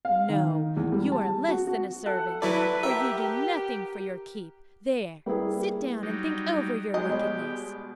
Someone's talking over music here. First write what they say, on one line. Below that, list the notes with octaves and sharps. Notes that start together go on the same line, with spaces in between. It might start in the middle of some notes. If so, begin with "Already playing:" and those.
"No; you are less than a servant, for you do nothing for your keep. There, sit down, and think over your wickedness."
F5
D#3
E2
G3
A5
F#4
F#4
A4 F#5
F#3 E4 A4 B4 D5
G4 A#4 E5
G3 A#3 E4 G#4 B4
F#3 G3 D#4
F#3 G#3 G4 D#5
B2 G3 G#3